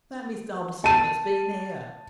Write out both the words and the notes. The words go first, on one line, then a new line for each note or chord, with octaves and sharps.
"That Miss Dobson that's been here."
A5 D#7